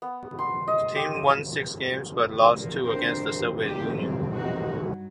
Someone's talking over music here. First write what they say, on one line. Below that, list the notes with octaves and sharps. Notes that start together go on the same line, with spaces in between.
The team won six games, but lost two against the Soviet Union.
B3
C6
D#5
G4
A#2 E3 F3
C4 D4 A#4 C5
B2 D4 G4
C3 F#3 G3 C4
C4 D#4 F#4
G2 F#3